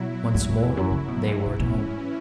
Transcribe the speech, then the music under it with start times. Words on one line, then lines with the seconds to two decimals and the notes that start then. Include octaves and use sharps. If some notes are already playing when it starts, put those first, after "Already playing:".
Once more they were at home.
Already playing: B2 F#3 E4
0.34 G#2
0.49 G#2
0.62 E2
0.77 F#2
0.90 C#3
1.08 B2
1.27 G#2
1.46 B2 E3 C#4 E4
1.59 B2
1.73 G#2